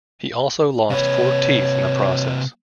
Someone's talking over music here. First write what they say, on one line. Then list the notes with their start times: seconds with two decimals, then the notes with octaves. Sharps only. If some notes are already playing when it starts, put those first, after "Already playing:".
He also lost four teeth in the process.
0.90 C3 B4 C#5